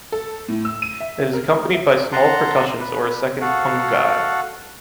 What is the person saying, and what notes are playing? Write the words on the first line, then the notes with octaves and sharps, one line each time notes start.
It is accompanied by small percussions or a second pungi.
A4
A2
E6
D#7
E5
A#4
E5
F#5 A5 A#5 C6
B4
F#4 A4 F5 F#5